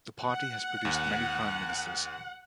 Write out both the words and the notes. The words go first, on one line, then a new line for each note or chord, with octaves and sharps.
The party has produced many Prime Ministers.
F#5
D#2